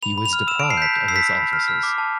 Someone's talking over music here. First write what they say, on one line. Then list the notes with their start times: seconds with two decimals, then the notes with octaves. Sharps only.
He was deprived of his offices.
0.03 B5 F7
0.18 B5
0.26 F7
0.33 F6
0.47 E6 E7
0.60 A5 D7
0.70 C7
0.77 G6 B6
0.93 G6
1.08 E6 C7
1.16 B6
1.23 E6
1.38 B5
1.53 F6
1.68 F6
1.83 D6
1.98 A5